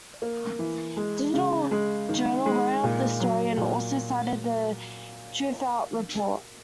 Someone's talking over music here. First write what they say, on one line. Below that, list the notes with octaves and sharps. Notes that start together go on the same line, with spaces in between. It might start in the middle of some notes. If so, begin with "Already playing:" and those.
Digital Journal wrote up the story and also cited the "Truthout" report.
A#3
E3
G#3
C#3
G#3
D#3
G#3
A#2
F#3
A#2